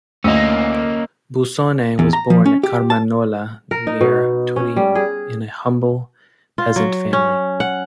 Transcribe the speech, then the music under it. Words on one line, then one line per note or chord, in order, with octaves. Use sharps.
Bussone was born at Carmagnola, near Turin, in a humble peasant family.
D2 A#3 C#4 D#5 E6
E2
A#5
F3
C#4
G4
A5
A#4
D#4
B2
C#4
G3
G#4
F4
F#3
C#4
F#5